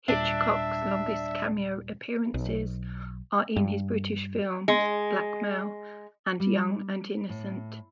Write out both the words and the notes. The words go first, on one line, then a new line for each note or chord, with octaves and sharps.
Hitchcock's longest cameo appearances are in his British films "Blackmail" and "Young and Innocent".
D#2 A#2 G3 D4 E5
B1
G2
G#3
G3
A2